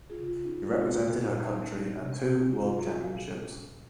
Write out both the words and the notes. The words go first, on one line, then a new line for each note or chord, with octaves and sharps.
She represented her country at two World Championships.
F4 G#4
C#3
F4
C#4 D#4
F4
G#3 D#4 F#4
F4
A#2 F4
A#2 D#4
C#4 D#4
G#3 D#4
C3
C3
C#4 F4
D#4 F#4
F#3 F4 G#4
F#4 A#4
A#2 F5 G#5
A#2
C#4